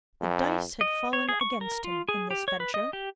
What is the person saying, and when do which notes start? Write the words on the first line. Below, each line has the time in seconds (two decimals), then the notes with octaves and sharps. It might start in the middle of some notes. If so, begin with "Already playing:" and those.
The dice had fallen against him in this venture.
0.21 F2
0.81 D#5
1.13 C#5
1.29 G#4
1.41 C#6
1.61 A#4
1.84 F4
2.09 G#4
2.31 G4
2.48 C#5
2.60 B4
2.74 D#5
2.93 G4